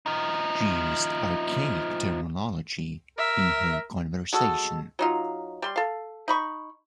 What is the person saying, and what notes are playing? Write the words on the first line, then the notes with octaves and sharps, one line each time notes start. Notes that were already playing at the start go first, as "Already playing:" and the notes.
She used archaic terminology in her conversation.
F3 D#4
A#4 E5
G#3 F#4 A4
F#3 D#4 F4
G3 C6
A4 F5
D#4 B5 C#6